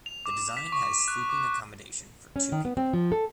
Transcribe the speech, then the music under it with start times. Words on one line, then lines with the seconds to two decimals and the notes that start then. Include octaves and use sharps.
The design has sleeping accommodation for two people.
0.06 F7
0.26 D6
0.57 B6
0.72 C#6
1.08 F#6
1.29 D6
2.36 C#4
2.52 D#3
2.65 B3
2.77 C4
2.93 F3
3.12 A4